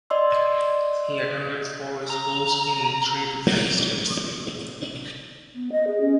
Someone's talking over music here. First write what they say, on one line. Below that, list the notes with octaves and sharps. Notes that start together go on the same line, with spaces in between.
He attended four schools in three different states.
D5 D#5 C6 E6
A#5
B3
D#5
G#4
C#4